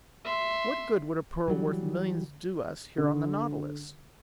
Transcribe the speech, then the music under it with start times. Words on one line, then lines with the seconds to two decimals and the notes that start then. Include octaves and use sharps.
"What good would a pearl worth millions do us here on the Nautilus?"
0.25 E5 C6
1.48 E3 F#3 G3
2.98 D3